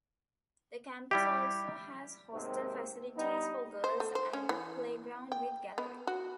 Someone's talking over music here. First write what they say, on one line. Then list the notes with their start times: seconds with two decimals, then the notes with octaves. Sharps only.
The campus also has hostel facilities for girls and a play ground with gallery.
1.11 G3 E4 G4
2.33 D#2 G#2 C3 D#3 C4
3.16 G3 B3 D4 D#4
3.84 C5
4.00 A3
4.15 C5
4.33 C#4
4.49 E3
5.32 G5
5.78 B3
6.07 F#4